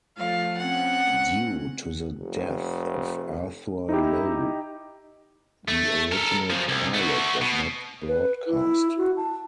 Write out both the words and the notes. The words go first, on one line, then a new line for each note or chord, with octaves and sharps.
Due to the death of Arthur Lowe, the original pilot was not broadcast.
F3 A3 F5
C4 C#4 F#5
F1
D#4 E4 G4
A3
A4 A#4
F#2 F3
C2
A3 F#4
B2
B4
E4
F#4
A5